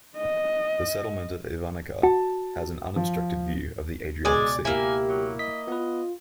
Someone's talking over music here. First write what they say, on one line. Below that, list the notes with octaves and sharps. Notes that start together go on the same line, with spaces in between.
The settlement of Ivanica has an unobstructed view of the Adriatic sea.
D#5
F#4 A5
F3
C#2 B2 G#3 G#4 D5 G#5
A#3 E4 G4 G#5
F#3
D#5 B6
B3 F4 B4